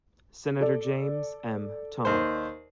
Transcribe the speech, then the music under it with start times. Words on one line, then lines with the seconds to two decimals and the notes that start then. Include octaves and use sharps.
Senator James M. Tunnell.
0.61 A4 D5
2.05 D#2 C5